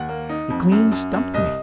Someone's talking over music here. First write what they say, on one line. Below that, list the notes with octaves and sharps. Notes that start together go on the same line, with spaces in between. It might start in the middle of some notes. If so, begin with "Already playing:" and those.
It clean stumped me.
Already playing: D#2 F#5
A#3
D#4
F2
F#2
F#2
F#2
C2 D#5